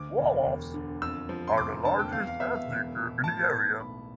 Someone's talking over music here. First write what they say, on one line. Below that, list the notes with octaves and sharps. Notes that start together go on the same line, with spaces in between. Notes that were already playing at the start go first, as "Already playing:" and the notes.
Wolofs are the largest ethnic group in the area.
Already playing: D2 D6
E1
E1
D3
F2 E6
F3
C6
F1 D6
D3 A5
G5
E2 F5
F5
B3 E5
F5
E1
B2
A2 A5
B3
B1 B5